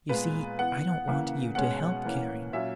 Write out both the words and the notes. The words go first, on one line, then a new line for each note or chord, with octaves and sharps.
"You see--I don't want you to help caring."
A#2 G#3 B3 B4
E3 B3 F#5
C#3 E3 A#3
B2 G#3 C#4 F#5
E3 A#3 C#4
A#2 F#3 C#4 E5